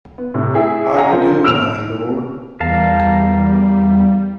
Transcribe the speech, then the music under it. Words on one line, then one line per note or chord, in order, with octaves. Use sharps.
How do you do, my Lord?
B3
A2 C3
E4 G#4 E5
G#4 D#5 F5 F#5 G#5 A#5
F3 C4 F4 A#4 C5
E6 F6 D7 E7 F7
E2 G3 A#4 F5 A5